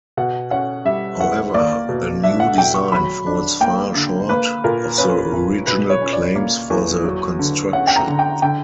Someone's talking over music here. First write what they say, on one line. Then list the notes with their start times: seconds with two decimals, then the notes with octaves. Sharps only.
However, the new design falls far short of the original claims for the construction.
0.17 B2 F#5
0.51 C#4 F#5
0.85 G3 E5
1.20 E2 F#5
1.54 A#3 D5
1.89 B2
2.23 D4 E5
2.40 F#5
2.57 B2 G5
2.74 C#6
2.92 F#3 B5
3.26 D4
3.61 A#3 G5
3.95 D3
4.29 A#3 B4
4.64 A#2 A#4
4.98 C#4 B4
5.33 A#2
5.67 B2 B4
5.90 C#5
6.02 C#4
6.13 D5
6.36 A#3
6.70 E2
7.04 F#3
7.39 D3
7.73 C#4 F#5
7.87 G5
7.96 A#5
8.07 D3
8.19 G5
8.42 D3 G5